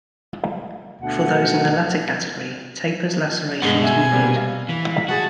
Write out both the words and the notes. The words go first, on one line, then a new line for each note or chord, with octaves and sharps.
For those in the latter category, "Taper's lacerations wounded".
D2 B2 F#5
G2 B2 G#3 F#5
E5 G#5
C3 G3 A#3
F5
E3 B6
F#4 G#4 F#5 A5